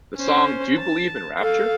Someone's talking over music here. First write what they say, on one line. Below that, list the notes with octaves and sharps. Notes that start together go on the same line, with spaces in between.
The song Do You Believe in Rapture?
C#4 C5
A5
A4 F5